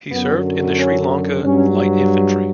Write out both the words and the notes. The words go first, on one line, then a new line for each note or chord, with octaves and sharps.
He served in the Sri Lanka Light Infantry.
F#2 D3 F#3 B3
C#4
G2 F#3 C#4